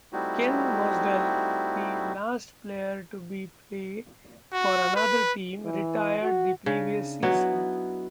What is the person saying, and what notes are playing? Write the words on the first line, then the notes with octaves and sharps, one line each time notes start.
Ken Mosdell, the last player to play for another team, retired the previous season.
G3 A3 C4 D#4 E4 F#4
F#4
B4
E3
F#4
C#3 D4 D#4
F#3 B3 E4 F#4 D#5